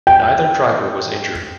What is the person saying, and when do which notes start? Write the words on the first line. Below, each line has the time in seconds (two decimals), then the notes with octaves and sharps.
Neither driver was injured.
0.07 G5